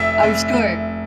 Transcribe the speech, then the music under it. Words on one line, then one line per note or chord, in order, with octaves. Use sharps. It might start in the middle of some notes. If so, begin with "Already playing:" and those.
I'm sure.
Already playing: F1 E5
F1
F1